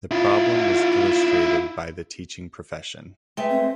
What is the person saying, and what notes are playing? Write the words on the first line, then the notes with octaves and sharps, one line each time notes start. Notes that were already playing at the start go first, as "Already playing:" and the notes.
The problem was illustrated by the teaching profession.
E4 F4
G#3 A3 B4 G5
C4